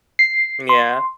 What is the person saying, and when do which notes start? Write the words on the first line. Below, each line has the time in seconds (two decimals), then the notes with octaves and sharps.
Mm, yeah.
0.19 C7
0.69 C6